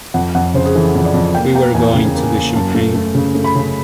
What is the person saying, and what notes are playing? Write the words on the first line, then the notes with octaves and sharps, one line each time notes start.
We were going to the Champagne.
F2 F#5
F2 F#5
C#3 C5
G#4
E3 A4
F2
D5
F2
A#3 G5
A#3 G5
E2 G#5
C#3
A#3
A#3
F#2 A5
A3
A3
C#3
A3
B5
C#3